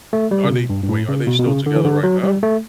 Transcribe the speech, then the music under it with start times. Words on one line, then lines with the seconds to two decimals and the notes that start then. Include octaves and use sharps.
Are they wait, are they still together right now?
0.13 A3
0.31 G3
0.44 C#3
0.50 B2
0.70 G2
0.83 G2
0.89 A2
1.08 C#3
1.27 B2
1.39 B2
1.46 C#3
1.66 D3
1.76 E3
1.85 D3
2.03 F#3
2.24 G3
2.43 A3